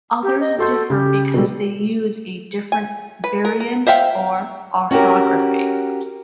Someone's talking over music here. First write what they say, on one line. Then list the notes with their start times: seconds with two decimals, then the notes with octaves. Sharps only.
Others differ because they use a different variant or orthography.
0.23 G4
0.40 D#5
0.58 F#4 A4 C6 G6
0.90 C#3 G4
1.34 B2 G3 A4
2.72 G#5
3.24 B4
3.45 A#4
3.60 A#4
3.87 C5 E5 F5 G5
4.91 C#4 F#4 G4 A#4